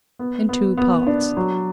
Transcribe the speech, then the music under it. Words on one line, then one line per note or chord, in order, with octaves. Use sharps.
In Two Parts.
B3
B3
B3
D4
F#3